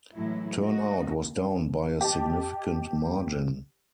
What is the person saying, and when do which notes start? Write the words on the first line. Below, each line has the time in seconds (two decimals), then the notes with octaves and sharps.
Turnout was down by a significant margin.
0.14 A2 E3 F#3 G#3 E4
0.61 D#4 F#4 D#5
2.01 G4 D#5 A5